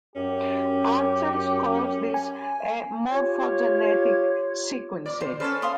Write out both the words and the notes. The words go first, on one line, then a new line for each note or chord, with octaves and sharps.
Archer calls this a morphogenetic sequence.
F#2 C#4 G4
G#5
F4 G4 C#5
A#2 D5
C5
C#4 A4 B4 C5 A5
F5 C6 D#6